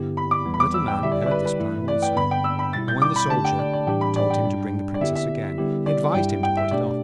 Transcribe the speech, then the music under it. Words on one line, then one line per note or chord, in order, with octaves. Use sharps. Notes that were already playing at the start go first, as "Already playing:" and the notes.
The Little Man heard this plan also; and when the Soldier told him to bring the Princess again, he advised him to put it off.
Already playing: G2 D3 B3 E4 G4
B5
D6
E2 E3 G3 B3
B5
D6
E6
G5
D3 G3 E4 G4 E5
D5
E5
D5
B4
B4
G2 E3 A3 E4
D5
G5
G2 D3 B3 D4 B5
G5
E6
B5
B2 G3 E4 A6
G6
D6
B5
D3 A3 D4 G4 A5
G5
D5
D5
A2 E3 G3 D4 G4 G5
B5
D5
G5
G2 G3 D4
D5
D3 B3 E4 G4 E5
E5
D3 G3 B3 E4 G4
D5
G2 G3 E4 G4 G5
G5
E5
B2 A3 D4 G4 D5